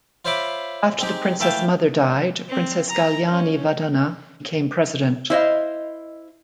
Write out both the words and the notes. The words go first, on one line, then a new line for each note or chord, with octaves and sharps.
After the Princess Mother died, Princess Galyani Vadhana became President.
F4 C5 C#5 E5 B5 D6
G#3 C4 D#4 G4
E3 A3 E5 F5 G5 A5
C4
A#5
C#4
E4 C5 D#5 F5